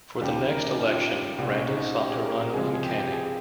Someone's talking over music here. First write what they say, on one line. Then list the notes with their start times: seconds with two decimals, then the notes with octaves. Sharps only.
For the next election, Randall sought to run in Canning.
0.21 D#2 C#3 G3 G4
0.50 A#4
0.65 D#4
0.79 F4
0.88 G4
0.94 F4
1.38 C2 A#2 G3 C4
1.52 C#4
1.67 D#4
1.96 G4
2.10 G#4
2.24 A#4
2.40 A#4
2.53 C#2 C3 F3 G#3 G#4
2.74 G#4
2.83 G4
2.97 G4
3.12 G#4